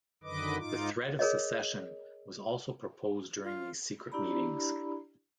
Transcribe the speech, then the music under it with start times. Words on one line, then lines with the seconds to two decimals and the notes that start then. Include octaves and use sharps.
The threat of secession was also proposed during these secret meetings.
0.24 F#2 D3 D#3 B4 D#5 D6
0.58 G#2 D#4 F4 D6
1.19 G#4 A#4 C#5 D#5
3.44 F4
4.12 D4 E4 G4 D5 A#5 B5